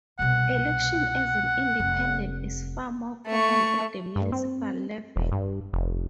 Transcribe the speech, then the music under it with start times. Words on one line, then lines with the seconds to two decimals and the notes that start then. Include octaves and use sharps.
Election as an independent is far more common at the municipal level.
0.19 C2 B2 F#5
1.80 F1
3.27 A3 C#6
4.16 G2
4.32 C4
5.16 E1
5.32 G2
5.73 F1